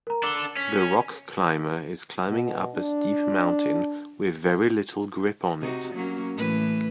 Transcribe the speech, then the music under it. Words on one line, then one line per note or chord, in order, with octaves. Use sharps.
The rock climber is climbing up a steep mountain with very little grip on it.
A#4 A#5
D4 A4 D6 A6 G7
C#4 B6
B2
D4
C3 D#4 F#4
F#3 A#3 C#4
A2 E3 B4